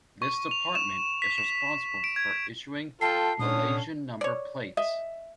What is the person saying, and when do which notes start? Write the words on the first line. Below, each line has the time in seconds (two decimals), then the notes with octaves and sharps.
This department is responsible for issuing Malaysian number plates.
0.22 C#6
0.51 F7
0.75 E7
1.22 B6
1.38 E7
2.04 D7
2.16 G#6
3.01 F4 A4 G5 A5 C7
3.40 A#2 D3 C#4 D#6
4.21 C#5 D5
4.77 D#5 E5